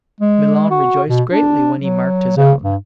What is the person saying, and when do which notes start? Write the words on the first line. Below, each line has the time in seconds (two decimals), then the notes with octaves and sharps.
Milon rejoiced greatly when he marked his own.
0.20 G#3
0.70 F#4
1.07 B2
1.32 D4
1.78 F#3
2.37 C#3
2.63 G2